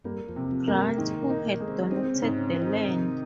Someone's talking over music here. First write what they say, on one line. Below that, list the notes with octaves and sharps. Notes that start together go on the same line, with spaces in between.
Grant, who had donated the land.
G2 G3 A#3
F2 F3
C3
F2 F3
A#3
G2 G3
G#2 D#3 G#3
A#2 A#3
D#4
A#2 A#3
G#3
C3 C4
D#3 C4 D#4
C#3 C#4
G#2
C#3 C#4
C4
D#3 D#4
C3 D#3 D#4